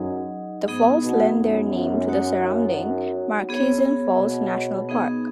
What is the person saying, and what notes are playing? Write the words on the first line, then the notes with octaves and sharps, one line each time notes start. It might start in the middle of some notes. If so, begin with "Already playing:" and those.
The falls lend their name to the surrounding Murchison Falls National Park.
Already playing: F#2 F#3 D#4 G#4 D#5 F#5
G#2 B3 D#4 G#4
B2
F#2
D#4 F#4 C#5 F#5
B3 G#4 C#5
B2
B3 D#4 G#4